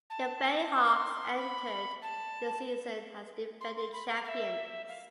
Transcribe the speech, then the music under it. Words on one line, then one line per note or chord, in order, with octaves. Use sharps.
The Bayhawks entered the season as defending champions.
A5
C6
B5
A5
C6
C6
B5
F5
F5
E5
F5